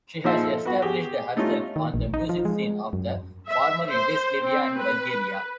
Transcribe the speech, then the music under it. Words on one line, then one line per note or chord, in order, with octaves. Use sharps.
She has established herself on the music scene of the former Yugoslavia and Bulgaria.
A#2 F3 D#4 G#4 C5 E5
A4
B3 F#4
G4 G#4
G3 A3 C#4 D#4 F4
D#3
A#1
D#4
F3
G#3
F#2
E5
C5
C4
B4